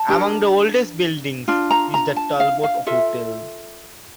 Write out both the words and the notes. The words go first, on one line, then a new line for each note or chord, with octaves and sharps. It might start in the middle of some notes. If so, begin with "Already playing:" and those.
Among the oldest buildings is the Talbot Hotel.
Already playing: A5
D4 G4 A#4
D4 F4
A#5
A#5
A5
F5
F5
F4 A4 E5